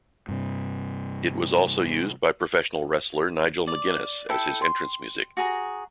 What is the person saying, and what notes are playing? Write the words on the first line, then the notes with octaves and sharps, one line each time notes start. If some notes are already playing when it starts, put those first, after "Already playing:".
It was also used by professional wrestler Nigel McGuinness as his entrance music.
G2 C3
D5
E4 A4 G5
C6
F#4 G#4 A#5